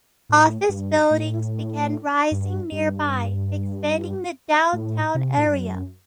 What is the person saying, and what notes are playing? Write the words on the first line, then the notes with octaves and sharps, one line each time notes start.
Office buildings began rising nearby, expanding the downtown area.
A2
G2
A2
G2
G2
A2
C3
A2
G2
F#2